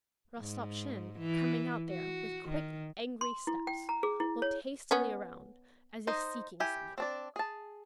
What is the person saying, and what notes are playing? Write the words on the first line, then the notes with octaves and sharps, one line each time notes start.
Rostopchin, coming out there with quick angry steps, looked hastily around as if seeking someone.
G#2
E3
F#4
D#3
C6
E4
G5
A#5
G#4
E4
C#5
B3 C#4
D#4 C5 D#5
E4 G4 G#5
C4 D4 D5
G#4 A5